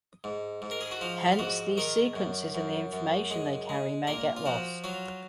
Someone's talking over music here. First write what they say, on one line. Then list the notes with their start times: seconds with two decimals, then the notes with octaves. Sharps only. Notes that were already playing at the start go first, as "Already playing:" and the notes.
Hence, these sequences and the information they carry may get lost.
0.24 G#2
0.62 G#2
0.71 A#4
0.81 G#4
0.91 F#4
1.01 F3 F4
1.32 F4
1.39 G#2 F#4
1.77 D#3 A#4
2.15 F#2
2.55 F#2
2.93 F#2
3.30 G#3
3.69 G#3
4.07 A#2 A#4
4.37 F4
4.46 F3 F#4
4.84 F#3 F4